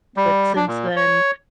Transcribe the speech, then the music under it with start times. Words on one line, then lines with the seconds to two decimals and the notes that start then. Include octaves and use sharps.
but since then,
0.17 G3
0.56 D4
0.67 A#2
0.96 C#5